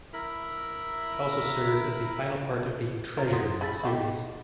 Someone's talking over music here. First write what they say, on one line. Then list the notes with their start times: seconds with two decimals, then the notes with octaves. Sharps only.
It also serves as the final part of the "Treasure" series.
0.13 E4 A#4 B5
3.17 F3 A#4
3.32 F#2 F#5 C6 D#6
3.61 C#3 A5 B5 E6 A6
3.83 B2 E4 F#4 G4 D#5